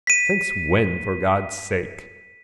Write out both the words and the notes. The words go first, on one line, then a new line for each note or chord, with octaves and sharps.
Since when, for God' sake?
B6 D#7